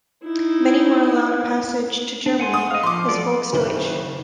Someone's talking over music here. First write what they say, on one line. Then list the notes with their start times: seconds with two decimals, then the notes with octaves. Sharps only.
Many were allowed passage to Germany as "Volksdeutsche".
0.25 D#4 E4
2.26 D4
2.40 F#5 G#5 C6
2.54 D#6
2.71 D#5 F5
2.83 F3 C6 D6
3.08 F#3 A4 D5
3.53 F#1 D#2 B4 C5 F#7